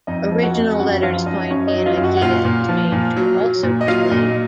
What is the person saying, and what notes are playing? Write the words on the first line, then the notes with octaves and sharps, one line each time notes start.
Original letters Toynbee and Ikeda exchanged were also displayed.
F2 D#4 D#5
F3
F#4 F#5
F2
F#2 F#4 F#5
F3 F4 F5
F#2 D#4 D#5
F#2 C#4 C#5
D#4 D#5
F#3
F4 F5
F#2
F#4 F#5
F#5
A#2 F4 F5
A#2
F3
A#2
F#3
F#3
A#2
D#5
F#3 F4 F5
A#2 D#4 D#5